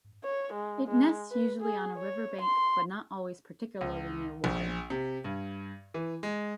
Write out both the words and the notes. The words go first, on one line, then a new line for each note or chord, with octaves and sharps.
It nests usually on a river bank, but not always particularly near water.
C#5
G#3
G#3
B4
G#4
C#5
C6
C#2
A#1
C3
G2
E3
G#3